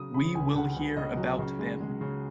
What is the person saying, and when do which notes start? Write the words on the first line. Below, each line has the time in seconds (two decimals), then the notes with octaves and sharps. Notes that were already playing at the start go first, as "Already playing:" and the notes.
We will hear about them.
Already playing: C#3 F#3 D#6
0.14 C#3 B5
0.35 C#2 G#5
0.55 C#3 F#5
0.76 C#2
0.96 C#3 D#5
1.17 F#3
1.39 C#3
1.59 G#3
1.81 G#3
2.01 C#3